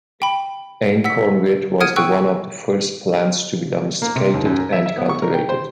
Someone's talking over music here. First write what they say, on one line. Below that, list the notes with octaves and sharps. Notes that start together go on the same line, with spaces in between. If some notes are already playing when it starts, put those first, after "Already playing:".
Einkorn wheat was one of the first plants to be domesticated and cultivated.
G5 B5
F#5 E6 B6
F#5 D#6 F6 G#6 D7 D#7
F#5 G5 C#6 E6 F#6
A#3
C3
D#2
F#2
A#4
E5
E5
B3
C#6
A#4
G5
C5